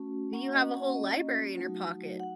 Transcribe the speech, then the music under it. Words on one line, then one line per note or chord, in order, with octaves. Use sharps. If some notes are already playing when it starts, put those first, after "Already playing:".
Do you have a whole library in your pocket?
Already playing: A3 C#4 F#4
A#3 C#4 F#4 F#5
D#5
F#5
D#5
F#3 A3 D#4 F#4
F#5